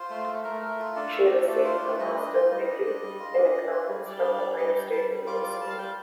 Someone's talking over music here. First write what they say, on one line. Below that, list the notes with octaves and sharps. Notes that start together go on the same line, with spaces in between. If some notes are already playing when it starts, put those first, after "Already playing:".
She received a master's degree in economics from Ohio State University.
Already playing: F4 C5
A3
A3
A3 A#4
A3
F4
D4 A4
A3
A3
D4 A4
F4 C5
A3
G3 D#5
D4 D#5
F4 G5
G3 D#5
D4
D4
G3
F4
D4
D4
F4
G3
G3 D5
D4
G3
G3 D#5
G3 G5
G3 A5
G3
F4 D6
G3 D6
G3 A5
F5
G3 G5